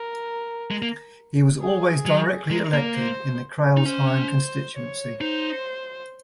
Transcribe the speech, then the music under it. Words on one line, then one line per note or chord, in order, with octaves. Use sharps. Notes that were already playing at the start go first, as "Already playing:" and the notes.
He was always directly elected in the Crailsheim constituency.
Already playing: A#4
G#3
A#3
G#4
F#3
G#3 A#4
A#3
C5
D#4
C#4 C5
C#5
D#4 C5